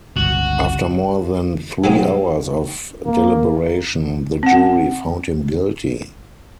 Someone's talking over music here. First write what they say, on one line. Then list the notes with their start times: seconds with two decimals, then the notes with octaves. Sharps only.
After more than three hours of deliberation the jury found him guilty.
0.16 G1 C#2 F#4
1.84 F#3 G#3 A#3 C4 D#4
3.06 A#3
4.43 C4 F#5